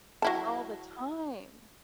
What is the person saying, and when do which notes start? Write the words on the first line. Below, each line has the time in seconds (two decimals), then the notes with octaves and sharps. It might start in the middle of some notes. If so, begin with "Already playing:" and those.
All the time.
0.22 F#3 E4 A5